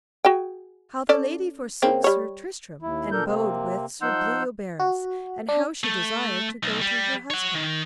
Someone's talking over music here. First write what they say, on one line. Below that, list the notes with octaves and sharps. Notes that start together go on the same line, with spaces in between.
How the lady forsook Sir Tristram and abode with Sir Bleoberis, and how she desired to go to her husband.
F#4 G#4 G5
C#4 A4 D5
C#3 A#3 C4
G3 C#5
D#2 E4
A#2 D4 A4 A#4 G6
C3 A#3 C4
F3 D#4 F#5 C6 E6 G6
F#4
D4
A3
B1
G3
C#5 F#5
D#3